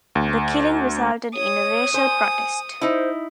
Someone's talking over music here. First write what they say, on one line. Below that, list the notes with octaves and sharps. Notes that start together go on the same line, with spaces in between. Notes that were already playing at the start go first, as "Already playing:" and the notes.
The killing resulted in a racial protest.
D2
C#5 D#6
C5 G#5
D#4 E4 C5